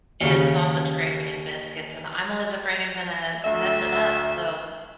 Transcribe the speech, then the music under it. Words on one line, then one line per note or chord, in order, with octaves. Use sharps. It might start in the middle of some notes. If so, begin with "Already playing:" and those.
is sausage gravy and biscuits, and I'm always afraid I'm gonna mess it up. So,
D#2 C#3
D2 A3 E5